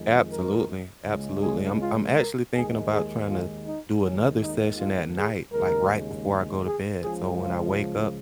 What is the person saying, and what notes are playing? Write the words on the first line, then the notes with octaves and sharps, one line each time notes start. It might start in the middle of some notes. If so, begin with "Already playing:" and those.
Absolutely, absolutely. I'm I'm actually thinking about trying to do another session at night, like, right before I go to bed so when I wake up,
Already playing: F2 D#3 G#3
A#4
C#2 C#3 G#3
G#4
F4
A#4
D#2 D#3 G#3 G#4
G#4
F4
D#4
D#2 D#3 G#3 C#4
D#4
F4
G#4
D#2 C#3 G#3 A#4
G#4
C#2 C#3 F3 G#3 G#4
F4